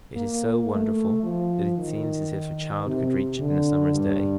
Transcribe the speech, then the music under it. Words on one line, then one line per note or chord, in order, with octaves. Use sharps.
It is so wonderful that it seems as if a child could reach it in a summer's day.
A#3
A3
F3
D#3
C3
D3
G2